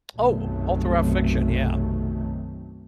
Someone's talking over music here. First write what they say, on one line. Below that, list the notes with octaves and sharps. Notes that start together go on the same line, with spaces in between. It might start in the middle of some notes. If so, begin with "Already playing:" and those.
Oh, all throughout fiction, yeah.
B1 F#2 C3 D#3 F#3 A3